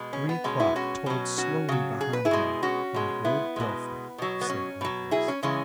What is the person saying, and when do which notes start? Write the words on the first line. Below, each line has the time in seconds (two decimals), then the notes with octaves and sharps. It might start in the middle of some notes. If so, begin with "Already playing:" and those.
Three o'clock tolled slowly behind him from the old belfry of St. Nicholas.
Already playing: B2 G#3
0.13 C#4
0.29 B3
0.44 B2 G#3 C#4
0.60 B3 E4
0.76 C#4 F#4
1.06 B2 F#3
1.38 C#4 F#4
1.69 C#3 F#3
2.01 G#4
2.13 B4
2.25 E4 G#4
2.31 B2 G#3
2.63 C#4 F#4
2.94 B2 G#3
3.25 B3 E4
3.56 B2 G#3
4.18 B2 F#3
4.41 B3
4.50 C#4
4.81 B2 F#3
5.11 E4 G#4
5.28 C#4
5.43 C#3 E3 G#3 C#4